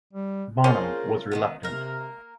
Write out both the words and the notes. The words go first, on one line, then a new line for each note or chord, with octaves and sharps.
Bonham was reluctant.
G3
F3 A#3 C#4 F4 G#4 A#4 C5
D#3 F#3 B3
C3 A#3 A#4